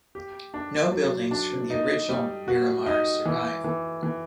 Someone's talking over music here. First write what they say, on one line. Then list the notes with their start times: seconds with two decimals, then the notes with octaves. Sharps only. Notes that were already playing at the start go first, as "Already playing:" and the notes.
No buildings from the original Miramar survive.
0.15 G4
0.54 D4
0.93 F#3
1.31 D4
1.70 D#4
2.09 G3
2.48 F#4
2.86 D#4
3.26 E3
3.64 E3
4.03 E3